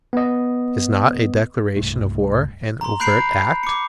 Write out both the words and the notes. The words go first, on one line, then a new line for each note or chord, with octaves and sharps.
Is not a declaration of war an overt act?
B3 D#5
C2 G2 G3 A3
A#5 C6
B5 F#6 G6 C7 D7 F7
D6 C#7